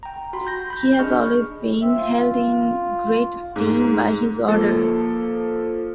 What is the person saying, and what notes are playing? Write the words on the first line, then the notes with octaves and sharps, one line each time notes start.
He has always been held in great esteem by his order.
G5 A#5
F#4 B5 C6
G6 A#6
B5 G6
D4 G#4 D#5 C#6 F6
C4 E5
F4
G#2
F3 A#3 A4